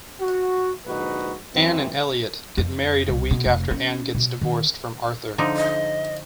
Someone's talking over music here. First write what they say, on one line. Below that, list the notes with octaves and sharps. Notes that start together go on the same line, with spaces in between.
Anne and Eliot get married a week after Anne gets divorced from Arthur.
F#4
A#1 G#2 D3 D#4 F#4 B4
F#2 E3 C4
F2
C2
B2
F1
C#4
B2
D#3
D3 F3 D#4
D#5